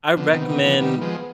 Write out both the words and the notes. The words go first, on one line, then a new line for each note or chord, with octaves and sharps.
I recommend,
D3 F3 B3
C3 D#3
C3 D#3
D3 F3
D#3 G3
F3 G#3